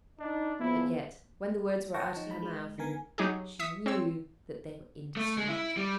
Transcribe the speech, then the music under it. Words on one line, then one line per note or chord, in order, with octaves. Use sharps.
But yet, when the words were out of her mouth, she knew that they were indiscreet.
D4 D#4
E2 F3 B3 E4
C#5 F#5 G5 A5 C#6 A#6
F3 D#4
G#3 B5
G#3
D3 D#3 B3 A#4 G#5
F#3 D#4 G4 G#4
E5 D#6 B6 C#7
C4 C#5 E6
A3
G#3
E4
G3